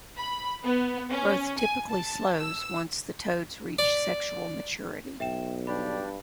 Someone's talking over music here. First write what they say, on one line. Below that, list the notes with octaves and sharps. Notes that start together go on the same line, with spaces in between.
Growth typically slows once the toads reach sexual maturity.
B5
B3
C#4
G#5
A5
E6
D5
B1 E5 G5 E7
G2 D4 G4 D5 B5